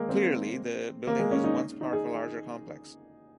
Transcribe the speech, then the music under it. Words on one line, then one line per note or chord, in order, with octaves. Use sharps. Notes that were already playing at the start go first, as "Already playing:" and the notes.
Clearly, the building was once part of a larger complex.
Already playing: G#3 A#3
C4
A#3
G#3
C#4
D#4
D#4
G#4